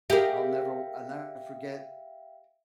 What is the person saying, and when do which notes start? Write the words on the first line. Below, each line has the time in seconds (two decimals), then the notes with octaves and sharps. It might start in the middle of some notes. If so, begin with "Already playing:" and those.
I'll never w I'll never forget
0.10 G4 G#4 A#4 E5 F5 G5